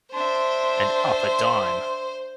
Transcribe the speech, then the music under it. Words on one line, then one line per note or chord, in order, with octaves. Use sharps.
And up a dime.
D4 C5 E5 C6